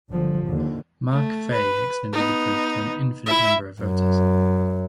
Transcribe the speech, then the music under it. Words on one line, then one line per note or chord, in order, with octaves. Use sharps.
Mark Fey extended the proof to an infinite number of voters.
G1 D3 F3
D#2 D3
A3
B4
B3 D#4
E4 E5
F#2